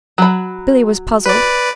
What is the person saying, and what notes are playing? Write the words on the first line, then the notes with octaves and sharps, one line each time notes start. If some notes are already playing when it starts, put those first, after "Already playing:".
Billy was puzzled.
F#3 B5
B4 D5